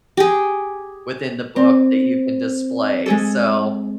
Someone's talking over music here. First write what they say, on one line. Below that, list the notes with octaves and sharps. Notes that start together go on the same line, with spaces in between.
within the book that you can display, so
G4 G#4
C4
G#3 G#4 A4